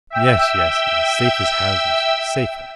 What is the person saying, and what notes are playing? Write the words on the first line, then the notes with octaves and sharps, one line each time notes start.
"Yes, yes, yes; safe as houses--safer."
E5 G5 E6